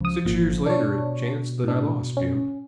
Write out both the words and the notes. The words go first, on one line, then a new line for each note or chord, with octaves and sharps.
Six years later it chanced that I lost Jim.
C#2 F3 D#6
G#1 A#2
B2 D4 C#5
A2 D4
C#4